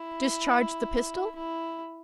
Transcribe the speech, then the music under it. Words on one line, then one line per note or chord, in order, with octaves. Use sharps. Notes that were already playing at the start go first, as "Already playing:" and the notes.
Discharge the pistol?
Already playing: E4
E4